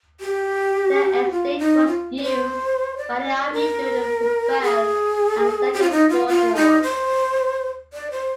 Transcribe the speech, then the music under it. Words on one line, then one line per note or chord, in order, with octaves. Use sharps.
The estate was used by the army during the First and Second World Wars.
G4
F4
D#4
F4
D5
C5
D5
A#4
G#4
G4
F4
D#4
F4
F4
D#4
C5
D5
C5